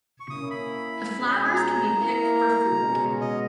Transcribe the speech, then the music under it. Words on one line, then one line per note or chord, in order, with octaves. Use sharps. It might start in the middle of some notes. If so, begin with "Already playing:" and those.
The flowers can be picked for food.
C#6
A#3 C#4 E4 D#6
B5
B2 G#3 C#4 G#4
G#5
A#5
A#3 E4 A#4
B2 G#3 C#4
D#5